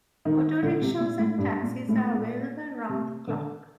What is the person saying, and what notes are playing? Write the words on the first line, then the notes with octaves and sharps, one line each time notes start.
Autorickshaws and taxis are available round the clock.
D#3
D3
C3
A#2
A2
G2
A#2
A2
A#2
C3
D3